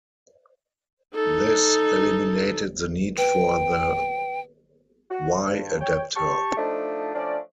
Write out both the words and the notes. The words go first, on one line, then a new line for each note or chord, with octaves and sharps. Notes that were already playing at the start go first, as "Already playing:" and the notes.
This eliminated the need for the Y-adaptor.
D#4 A4
B4 G5
F#4
G2
C#5 G5
G4 A5 C#6
F3 A3 D4 D#4
F3 A3 C#4 D4 F4 D5